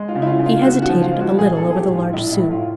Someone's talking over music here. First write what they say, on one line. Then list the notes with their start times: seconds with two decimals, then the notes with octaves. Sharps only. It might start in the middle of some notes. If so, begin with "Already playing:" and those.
He hesitated a little over the large sous.
Already playing: G#3
0.08 F4
0.15 C#3
0.22 E4
0.26 F4
0.39 C#3
0.46 F4
0.64 C#3 F#4
0.82 F#4
0.89 F3
1.02 F4
1.14 G#3
1.20 F#4
1.38 A#1 G#4
1.57 A4
1.63 F3
1.70 G#4
1.76 G4
1.88 A2
1.95 F4
2.13 A#1 E4
2.32 E4
2.38 A2
2.51 F4